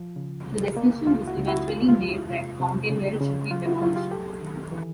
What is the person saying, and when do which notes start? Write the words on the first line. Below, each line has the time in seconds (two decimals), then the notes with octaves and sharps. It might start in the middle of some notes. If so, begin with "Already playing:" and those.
The decision was eventually made that Fountainwell should be demolished.
Already playing: F3 F4
0.16 C#3
0.46 C2
0.77 A#3
1.07 C#2 F4
1.28 E4 F#4
1.38 C#2
1.48 E4 F#4
1.68 G#3 F4 G4
1.88 F4
1.99 E2
2.09 E4
2.29 C3 F4
2.60 C3
2.90 C#3
3.21 C#3
3.51 F#3 F4
3.66 E4 F#4
3.81 F#3 F4 G4
3.96 F4 G4
4.12 C2 G4 A4
4.42 D#3
4.72 E3